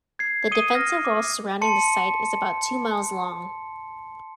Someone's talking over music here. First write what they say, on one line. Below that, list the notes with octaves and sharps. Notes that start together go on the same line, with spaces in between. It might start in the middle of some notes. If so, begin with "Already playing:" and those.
The defensive wall surrounding the site is about two miles long.
G#6 C7
D#6 C#7 D#7 G7
F6 A#6
D6
A5 C6 C#7